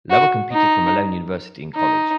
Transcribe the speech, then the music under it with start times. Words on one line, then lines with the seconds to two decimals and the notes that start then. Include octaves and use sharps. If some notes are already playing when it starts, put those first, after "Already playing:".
Lower competed for Malone University in college.
0.10 F#4
0.52 D#4
1.75 D#4